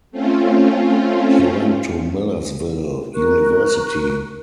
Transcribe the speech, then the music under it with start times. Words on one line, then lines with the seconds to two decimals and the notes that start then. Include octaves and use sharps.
He went to Millersville University.
0.11 A3 C4 C#4 F4
3.15 A#4 C#6 F#6